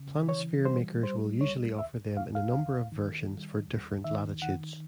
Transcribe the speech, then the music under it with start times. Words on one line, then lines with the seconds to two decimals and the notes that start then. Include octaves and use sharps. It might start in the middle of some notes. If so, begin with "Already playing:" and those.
Planisphere makers will usually offer them in a number of versions for different latitudes.
Already playing: C#3
0.28 E3 C#5
0.65 G3 C5
1.03 G3 C5
1.41 C#2 C#5
1.78 D#2 E5
2.16 D#2 F5
2.35 F5
2.54 D#2
2.92 D#3
3.29 G3
3.67 D#2
4.04 D#3 E5
4.42 D#3 F#5